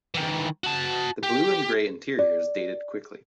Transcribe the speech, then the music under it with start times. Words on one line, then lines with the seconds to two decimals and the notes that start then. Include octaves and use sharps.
The blue and grey interiors dated quickly.
0.15 D#3 E3
0.64 F#4 A5
1.23 G4
2.19 D5